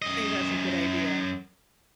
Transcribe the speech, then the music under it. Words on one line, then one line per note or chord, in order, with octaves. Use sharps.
I think that's a good idea.
F#2 D#5